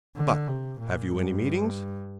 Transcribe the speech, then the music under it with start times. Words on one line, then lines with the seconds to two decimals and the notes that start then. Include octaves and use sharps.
But, have you any meetings?
0.16 D3
0.48 C3
0.79 A#2
1.11 G2